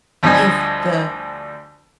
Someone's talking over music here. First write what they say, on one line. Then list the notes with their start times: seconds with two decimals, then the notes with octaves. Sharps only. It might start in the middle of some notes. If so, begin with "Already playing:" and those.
If the
0.23 D2 F3 G3 D4 D#5 G#5